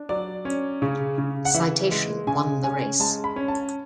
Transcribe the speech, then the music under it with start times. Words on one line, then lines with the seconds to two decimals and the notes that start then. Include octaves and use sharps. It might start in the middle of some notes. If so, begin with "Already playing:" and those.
Citation won the race.
Already playing: D4
0.09 F#3 D5
0.45 C#4
0.82 C#3
1.18 C#3
1.45 F#5
1.54 E3 E5
1.91 G#3
2.27 C#3 G#5
2.64 C#4 G#5
3.00 G#3 A5
3.24 B5
3.36 C#4
3.48 A5